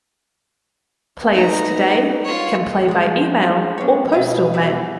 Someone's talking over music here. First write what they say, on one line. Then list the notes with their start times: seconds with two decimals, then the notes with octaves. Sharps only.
Players today can play by email or postal mail.
1.33 B3 D#4 A#5
2.25 F4 C#5
2.88 F3 G#3 G#4
3.78 B3 D4 C#5
4.13 B2 D#5 F5
4.54 G3 E4